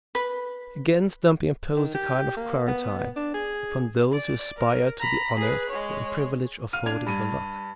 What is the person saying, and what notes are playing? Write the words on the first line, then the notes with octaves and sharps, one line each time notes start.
Again Stumpy imposed a kind of quarantine upon those who aspired to the honor and privilege of holding The Luck.
B4
D#3
G4
A#3
B3
B3
D4
G#4
D5
A#4
A#5 B5
G#4 B4
G#3 C#5
F5 F6 D#7 F7
D4 G#6 F7
G2 D#7